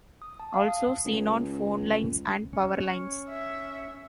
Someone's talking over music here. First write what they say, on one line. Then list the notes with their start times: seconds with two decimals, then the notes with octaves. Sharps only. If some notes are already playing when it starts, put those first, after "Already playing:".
Also seen on phone lines and power lines.
0.22 D#6
0.40 A5
0.54 F5
0.68 D#6
1.05 C#2
2.53 C#4
3.29 E5